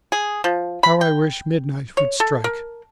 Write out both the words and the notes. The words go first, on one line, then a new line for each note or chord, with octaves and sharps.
"How I wish midnight would strike!"
G#4
F3
B5
G5
C#5
A4
A#4